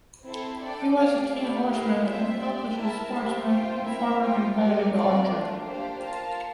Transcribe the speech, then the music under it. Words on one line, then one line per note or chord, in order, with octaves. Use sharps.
He was a keen horseman and accomplished swordsman and former competitive archer.
C4 E4 A4
D4 A4 D5 G5
G4 D5 F5
A3 E4 G4 D5 G5
E4 G4 A#4 F5
C4 F4 C5 E5 G5
G4 D5 G5
E4 A#4 E5 A5
G4 C5 E5
F4 C5 G5
C4 E4 A#4 E5
F4 C5 G5
G4 A#4 D5
A3 C4 F4 A#4 D5
A3 D4 F4
A#3 D4 G4 C5 F5
F4 A#4 F5 A5